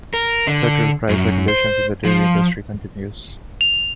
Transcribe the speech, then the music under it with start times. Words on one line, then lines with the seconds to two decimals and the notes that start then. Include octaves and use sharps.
Federal price regulation in the dairy industry continues.
0.14 A#4
0.47 D3
1.09 F#2
1.48 C5
2.05 F3
3.61 F7